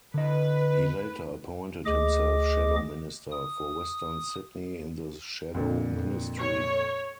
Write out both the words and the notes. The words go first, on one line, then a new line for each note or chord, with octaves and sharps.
He later appointed himself Shadow Minister for Western Sydney in the Shadow Ministry.
D3 B4 D#5
D2 G#4 D#5 D6
D#6
F2 A#2 D3
C#5